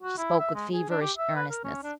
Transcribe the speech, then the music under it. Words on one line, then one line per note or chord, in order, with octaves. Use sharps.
She spoke with feverish earnestness.
F#4
E4
E5
G#3
G#4
D4
G4
E5
B4
A#4
C#4
D4